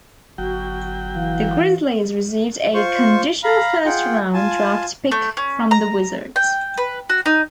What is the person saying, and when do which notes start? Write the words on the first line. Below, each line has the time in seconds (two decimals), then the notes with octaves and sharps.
The Grizzlies received a conditional first round draft pick from the Wizards.
0.38 G1 F#3 F#4 G5
1.15 E3 F5
2.74 F4 C5 C#6
3.44 F5 A#5 B5
3.85 F4 G#4 F#5 G5
4.34 F4 G#5 A5
5.12 A3
5.37 C#4
5.71 A#5
6.36 G5
6.78 B4
7.10 F#4
7.26 D#4